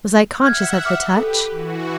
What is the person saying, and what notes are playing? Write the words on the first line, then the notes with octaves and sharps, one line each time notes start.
Was I conscious of her touch?
E5 F#5 F6 G6 G#6
D6 F6
G4 A4 B4
E3 F#4